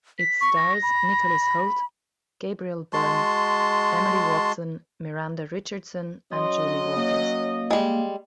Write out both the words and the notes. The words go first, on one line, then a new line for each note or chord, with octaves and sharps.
It stars Nicholas Hoult, Gabriel Byrne, Emily Watson, Miranda Richardson and Julie Walters.
B6
C#6
A#6
B5
G#3 F#4 A5 C6
F#3 C#4 D#5 C6
A#3
G3 G#3